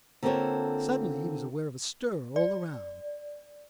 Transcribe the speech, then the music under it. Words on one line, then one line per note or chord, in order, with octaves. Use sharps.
Suddenly he was aware of a stir all around.
D3 A#3 C4 F4 A4 C#5
D5